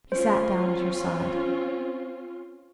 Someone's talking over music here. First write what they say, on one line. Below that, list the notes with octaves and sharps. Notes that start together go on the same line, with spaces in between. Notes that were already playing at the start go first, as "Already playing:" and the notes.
He sat down at her side.
C4 C#4 F4 C5